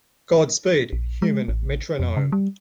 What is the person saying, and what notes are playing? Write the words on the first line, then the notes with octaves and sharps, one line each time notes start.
Godspeed Human Metronome.
A#1
G#3
A1
F2
C#3
G3